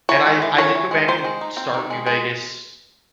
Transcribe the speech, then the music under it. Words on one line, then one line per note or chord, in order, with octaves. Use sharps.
and I I did go back and start New Vegas,
E3 C#5
G#3
E3
C#4 C#5
E3
G#3
D#3 C5
G#3
D#4
C4
D#3
G#3
G#3